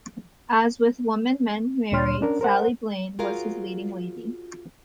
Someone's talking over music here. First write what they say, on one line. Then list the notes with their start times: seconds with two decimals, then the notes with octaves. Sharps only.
As with "Women Men Marry", Sally Blane was his leading lady.
1.92 D2 A#2 D4 C#5 C6 F6
2.21 C#4 D4 A#4
2.41 A#4 C5 F#5
3.19 F4 F#4 G#4 A#4 C#5 F5